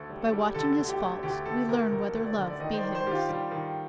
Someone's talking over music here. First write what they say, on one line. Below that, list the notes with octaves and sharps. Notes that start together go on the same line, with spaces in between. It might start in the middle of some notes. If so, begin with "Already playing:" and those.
By watching his faults we learn whether love be his.
Already playing: D2 A4
G3
A4
G3
D3 A4
D2
G4
D2
D2 G4
D2 A4
D2 A#4
D2 A#4
D2
D5
D3
D5
D#3 D#5
C5
D5
D#3
C5
D#3 G4
F4
G3
D#3